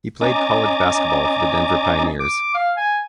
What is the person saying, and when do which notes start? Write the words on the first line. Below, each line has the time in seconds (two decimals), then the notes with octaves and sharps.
He played college basketball for the Denver Pioneers.
0.21 C#4 D#5 G#5 A#5 D6 A6
2.20 D6
2.54 F5
2.77 G#5